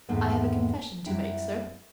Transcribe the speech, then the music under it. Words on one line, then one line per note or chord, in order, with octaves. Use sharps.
I have a confession to make, sir.
E2 G#2 D#3 A3 B3
F#2 G3 C4 E4 G5